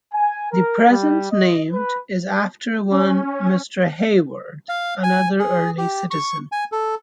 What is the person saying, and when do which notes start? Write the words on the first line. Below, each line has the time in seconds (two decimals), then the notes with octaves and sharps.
The present name is after one Mr. Hayward, another early citizen.
0.13 G#5
0.51 A#4
0.90 G3
1.31 D#5
1.72 B4
2.90 C#4
4.69 F5
5.03 G#5
5.39 G#4
5.78 G4
6.11 C#6
6.52 G#5
6.72 A4